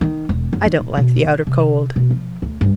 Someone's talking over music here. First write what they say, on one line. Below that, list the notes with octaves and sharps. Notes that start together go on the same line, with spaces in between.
I don't like the outer Cold.'
D#3
E1
F#2
D#3
A#2
B2
D#3
C3
B2
F3
D2
G2